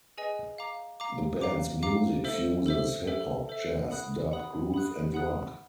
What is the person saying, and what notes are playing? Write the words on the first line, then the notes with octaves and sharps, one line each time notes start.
The band's music fuses hip hop, jazz, dub, groove and rock.
G#4 B4 D#5 G#5
F5 A#5 D6
F5 A#5 D6
F5 A#5 D6
F5 A#5 D6
A4 C5 E5
A4 C5 E5
A4 C5 E5
A4 C5 E5
F#5 B5 D#6 F#6
F#5 B5 D#6 F#6
F#5 B5 D#6 F#6
F#5 B5 D#6 F#6